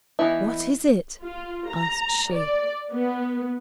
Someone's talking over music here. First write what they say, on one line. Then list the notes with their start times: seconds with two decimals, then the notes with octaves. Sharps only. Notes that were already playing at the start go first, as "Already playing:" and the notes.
'What is it?' asked she.
0.19 E3 B3 D#4 E4
1.23 F4
1.70 A#5
2.31 D5
2.92 B3